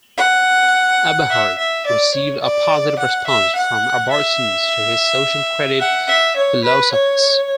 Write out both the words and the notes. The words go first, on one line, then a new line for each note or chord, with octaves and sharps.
Aberhart received a positive response from Albertans to his social credit philosophies.
F#5
E5
E5
D5
C#5
D5
F#5
E5
F#5
E5
F#5
E5
C#5
B4
C#5